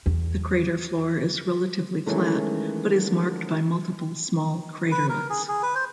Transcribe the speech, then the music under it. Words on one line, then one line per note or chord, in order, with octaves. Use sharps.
The crater floor is relatively flat, but is marked by multiple small craterlets.
E2
D#3 E3 F#3 G#3 A3 C#4
B4
A#4
G#4
G#4
B4
C5